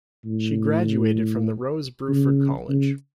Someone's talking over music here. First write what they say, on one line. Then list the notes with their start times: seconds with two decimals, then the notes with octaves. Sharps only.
She graduated from the Rose Bruford College.
0.25 A2
2.08 C#3
2.69 C#3